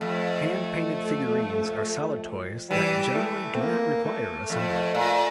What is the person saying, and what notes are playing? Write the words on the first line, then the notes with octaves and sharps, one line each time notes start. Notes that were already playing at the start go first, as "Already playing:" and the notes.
Hand-painted figurines are solid toys that generally do not require assembly.
F2 A3
E3 G3
A3
C4
A#3
A3
F2 A3
A#2